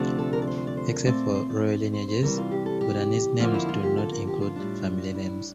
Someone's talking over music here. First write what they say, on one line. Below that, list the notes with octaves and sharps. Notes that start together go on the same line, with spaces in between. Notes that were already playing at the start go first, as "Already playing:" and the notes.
Except for royal lineages, Bhutanese names do not include a family name.
Already playing: D2 C3 F3 A3 D4
A4
A#4
D5
C5
C5
D5
C5
A#4
A#2 A3 C4 D5
C5
D5
C5
C5
C3 E3 G3 A#4
F4
G4
A4
G4
F2 D3 F3 A#3 F4
E4
F4
G4
A4
A#4
G4
F4
A2 G3 D4
E4